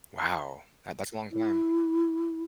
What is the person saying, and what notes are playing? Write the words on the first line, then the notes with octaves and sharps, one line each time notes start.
Wow. That that's a long time.
E4